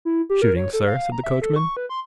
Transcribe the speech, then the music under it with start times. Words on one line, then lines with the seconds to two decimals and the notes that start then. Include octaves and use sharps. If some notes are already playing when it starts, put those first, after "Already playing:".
'Shooting, sir?' said the coachman.
0.05 E4
0.29 G4
0.42 A#4
0.56 C#5
0.73 A4
0.87 F5
1.12 A#5
1.24 E5
1.42 A4
1.56 C#6
1.77 B4
1.89 C6